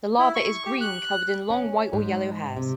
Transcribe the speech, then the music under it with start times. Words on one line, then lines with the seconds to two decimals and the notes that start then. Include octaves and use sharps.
The larva is green, covered in long white or yellow hairs.
0.19 E4
0.35 C#6
0.66 G4
0.81 F#6
1.50 C#4
1.93 G#2
2.57 C3